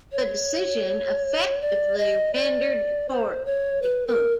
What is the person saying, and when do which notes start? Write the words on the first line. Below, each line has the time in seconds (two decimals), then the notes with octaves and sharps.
The decision effectively rendered the Court defunct.
0.12 C#5
1.61 D5
1.98 D#5
2.34 D5
3.09 C5
3.46 C#5
3.82 B4
4.07 A#4